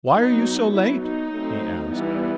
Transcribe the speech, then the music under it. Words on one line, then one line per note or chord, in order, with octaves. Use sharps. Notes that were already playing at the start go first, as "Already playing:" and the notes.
"Why are you so late?" he asked.
F#3 B3 D#4
F#3 B3 E4
D#4
F#3 A3 C4
E3 G3 B3